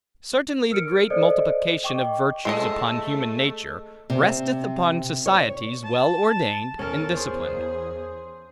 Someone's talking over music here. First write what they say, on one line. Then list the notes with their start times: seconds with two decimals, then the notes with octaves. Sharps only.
Certainly the great multiplication of virtues upon human nature, resteth upon societies well ordained and disciplined.
0.71 A#4 E6 F6 C#7 D7
1.10 A4 C5 D5 D#5
1.83 D#5 G5 C#6 D6
2.45 G#3 A3 A4 D#5
4.10 C3
5.26 C#5
5.84 A5
6.79 E2 C#4 A4 A#4
7.16 G#4 C5